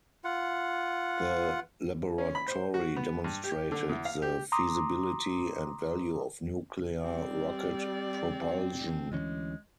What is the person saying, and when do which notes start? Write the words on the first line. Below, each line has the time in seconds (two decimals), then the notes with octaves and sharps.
The laboratory demonstrated the feasibility and value of nuclear rocket propulsion.
0.24 F4 F#5
2.18 C#4
2.35 B5
2.48 C5
2.74 F#4
2.96 B3
3.24 G2
3.44 G4
3.72 D3
3.89 E2
4.05 F5
4.22 G4
4.52 A#5 C6 D6 D#6
7.04 G3 C4 D5
9.12 D2 E3 G#3 C#4